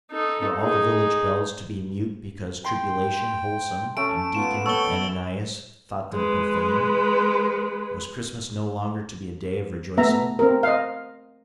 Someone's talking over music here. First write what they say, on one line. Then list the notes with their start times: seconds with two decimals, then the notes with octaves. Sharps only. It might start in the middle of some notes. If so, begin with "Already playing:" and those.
Were all the village bells to be mute because Tribulation Wholesome and Deacon Ananias thought them profane? Was Christmas no longer to be a day of rejoicing?
0.11 D#4 A4
0.60 D#4 G#4
2.64 G5 C6
3.97 A3 C#4 A5 D7
4.35 B3 F4 E7
4.66 A4 C#5 G5 A5 E6 G7
6.13 G#3 B4
9.97 A3 B3 E5 A#5
10.39 C4 A#4
10.63 D#5 F5